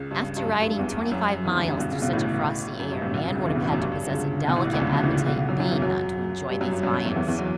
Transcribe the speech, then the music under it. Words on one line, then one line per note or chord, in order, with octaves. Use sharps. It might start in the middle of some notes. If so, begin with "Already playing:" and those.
After riding twenty-five miles through such a frosty air, Nan would have had to possess a delicate appetite indeed not to enjoy these viands.
Already playing: C#2 C#3
G2
G2
F#2
G2
E2 E3
F#2 F#3
E2 E3
D2 D3
G2
B1 B2
C#2 C#3
B1 B2
A1 A2
F#2
G2
A1 A2
B1 B2
C#2 C#3
D2 D3
E2 E3
B1 B2
A1 A2
F#2
G2
G2
D3
C#2 C#3
B1 B2
A1 A2
B1 B2
D2 D3
C#2 C#3
B1 B2
A1 A2
C#2 C#3
B1 B2
B1 B2
F#2 F#3
F#2 F#3
E2 E3
F#2 F#3
G2 G3
F#2 F#3
G2 G3
F#2 F#3
F#2 F#3
E2 E3
E2 E3
E2 E3
F#3